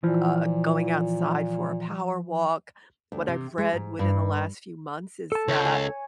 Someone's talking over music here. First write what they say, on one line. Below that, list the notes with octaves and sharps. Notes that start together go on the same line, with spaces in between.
uh, going outside for a power walk. What I've read within the last few months is that
A#2 E3 F3
D2
C3
G#3
G#2
G2
A4 A5
C#2 C#5
G#5